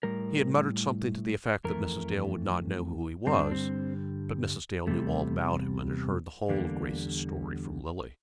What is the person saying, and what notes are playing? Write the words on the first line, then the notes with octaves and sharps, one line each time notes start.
He had muttered something to the effect that Mrs. Dale would not know who he was; but Mrs. Dale knew all about him, and had heard the whole of Grace's story from Lily.
A2 G3 A#4
F2 E3 A3 A#4
G2 D3 G3 C4
D4
C4
E2 C3 G3 A3
E2 D3 G3 A#3